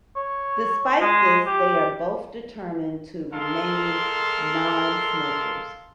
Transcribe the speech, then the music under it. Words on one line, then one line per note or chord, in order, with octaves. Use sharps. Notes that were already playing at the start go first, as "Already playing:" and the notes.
Despite this, they are both determined to remain non-smokers.
C#5
G#3
G4
G#3 A4 A#4 F5 C6